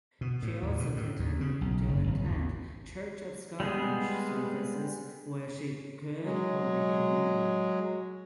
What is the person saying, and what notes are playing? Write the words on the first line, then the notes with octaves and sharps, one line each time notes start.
She also continued to attend Church of Scotland services where she could Holy Communion.
B2
A2
D#2
B2
A2
D#2
C#3
B1
F#1
G#1
D#2
G3 G#3 B3 G#4
F#3 G#3